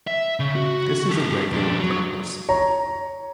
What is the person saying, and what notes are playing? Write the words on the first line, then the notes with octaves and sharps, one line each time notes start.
This is a regular practice.
E5
C#3
F#4
G4 A4
F2 D4
F#3
C#5 A#5